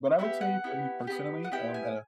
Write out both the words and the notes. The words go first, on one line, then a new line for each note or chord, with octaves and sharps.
But I would say for me personally, um, at a
B3 E4 E5
G4
F#5
B3 E4 G4
B3 E4 G4
F#5
B3 E4 G4 G5
G#5